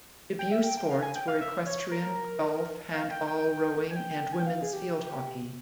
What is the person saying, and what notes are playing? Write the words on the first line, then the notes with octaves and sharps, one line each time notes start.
Debut sports were equestrian, golf, handball, rowing, and Women's field hockey.
G5
E5
G5
G5
F5
G#5
G5
F5
E5
C#5
A#4
F5
G5
G5
G#5
G5
G#5
G5
F5
G#4
G4